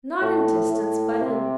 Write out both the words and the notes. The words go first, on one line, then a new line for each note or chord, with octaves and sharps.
'Not in distance, but in--.
A2
A2
C3